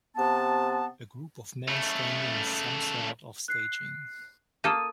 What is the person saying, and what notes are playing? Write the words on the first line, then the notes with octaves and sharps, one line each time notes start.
A group of men standing on some sort of staging.
C3 B3 A5
C#3 A3
F#6 C7
A#3 A4 D#6 D#7